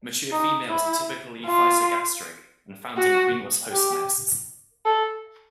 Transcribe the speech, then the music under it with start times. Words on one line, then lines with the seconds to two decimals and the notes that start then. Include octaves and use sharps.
Mature females are typically physogastric and found in queenless host nests.
0.32 D#4
0.69 E4
1.46 F4
2.97 F#4
3.72 G4
4.86 A4